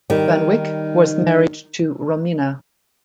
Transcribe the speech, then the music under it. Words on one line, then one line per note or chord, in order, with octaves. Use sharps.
Van Wyk was married to Romina.
D#3 G3